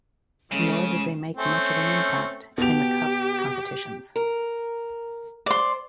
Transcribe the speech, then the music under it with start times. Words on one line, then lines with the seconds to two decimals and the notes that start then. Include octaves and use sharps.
Nor did they make much of an impact in the cup competitions.
0.52 C#3 G#3 A3 C#4
1.37 A3 C4 C#4
2.58 B2 G4 F7
4.16 A#4
5.46 C5 D5 C6